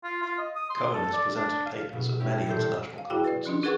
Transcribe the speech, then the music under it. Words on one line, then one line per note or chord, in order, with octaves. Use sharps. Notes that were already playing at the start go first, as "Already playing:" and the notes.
Cohen has presented papers at many international conferences.
F4
F4
D#5
D#6
C6
A4
D5
D4
F5
B2
C#4 E4 G4
E1 A#2 G3 A4 C5 G6
F5
E4 F#4 G#4 G5
B4 D5
F3 C#4 D4 F4
D#4 G#4 A#4 B4 F#5 C#6